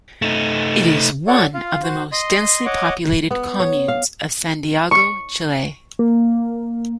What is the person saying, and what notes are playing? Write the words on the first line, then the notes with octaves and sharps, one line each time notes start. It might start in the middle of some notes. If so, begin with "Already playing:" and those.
It is one of the most densely populated communes of Santiago, Chile.
A3 D#4
F#4 A4 C#5 D5 F#5
F4 F5
F#4 C5
D#5 C6
C#5 D#5 F#5 D6
B3
C#5
F5
C#6
A#3